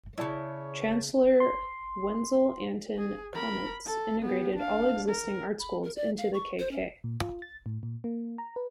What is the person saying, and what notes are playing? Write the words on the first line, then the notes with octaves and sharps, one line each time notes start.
Chancellor Wenzel Anton Kaunitz integrated all existing art schools into the k.k.
A2 C#3 E4 C#5 D5 A5
C6
G#4
A#4 B5
A4
B3 G4
D4 F5
A#4
B5
A#4
D5
F5
C#6
C5
C#4
A#2
F4
A6
A2
A#2
A#3
A#5
B4